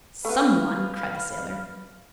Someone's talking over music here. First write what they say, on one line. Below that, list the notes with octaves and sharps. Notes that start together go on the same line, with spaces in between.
"Some one," cried the sailor.
A3 B3 B4 F5